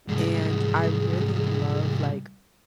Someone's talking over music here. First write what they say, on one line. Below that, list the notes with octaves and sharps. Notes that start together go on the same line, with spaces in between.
and I really love, like,
C2 G#2 G#4